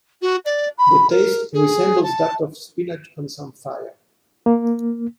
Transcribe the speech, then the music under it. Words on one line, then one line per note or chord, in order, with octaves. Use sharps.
The taste resembles that of spinach and samphire.
F#4
D5
B5
A#4
G#4
A5
A#3